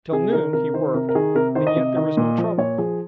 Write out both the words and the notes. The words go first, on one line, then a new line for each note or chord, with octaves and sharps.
Till noon he worked and yet there was no trouble.
C3 G#4
D#3 A#4
C3 A#4
D#3 C5
C3 A#4
A#4
D#3 G#4
C3 A#4
D#3 C5
D#5
C3
D#3
A#2
F3
A#2 C#5
F3 G#4